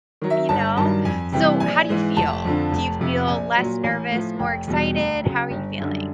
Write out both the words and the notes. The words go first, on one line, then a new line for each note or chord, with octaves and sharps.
You know? So how do you feel? Do you feel less nervous, more excited? How are you feeling?
D#3 F#3
E5
G1 A5
G2 D#3 F#3 A5
F2 G#5
C3 E3 G3 G5
A#1 G#5
G#2 E3
F1 A5
F2 D3 F3
F1
F2 C3 F3
A#1 G#5
A#2 F#3
A1 G#5
A2 F3
F1 G5
E2 B2 G3
D2
C#3 F#3
G1
F#2 D3 G3